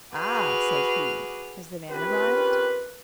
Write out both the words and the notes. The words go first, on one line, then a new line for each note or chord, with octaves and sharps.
"Ah!" said he, "has the van arrived?"
F#4 G#4 B4 D6 F6
C4 C#4 F4 G4 A#4 B4